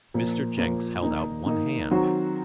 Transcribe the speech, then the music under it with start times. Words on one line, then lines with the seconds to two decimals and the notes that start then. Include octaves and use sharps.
Mr. Jenks held out one hand.
0.14 A#2 F3 A#3
0.58 A#2 F3 A#3
1.03 D#3 A#3 D#4
1.46 D#3 A#3 D#4
1.91 D#3 F#3 C4 F#4 C5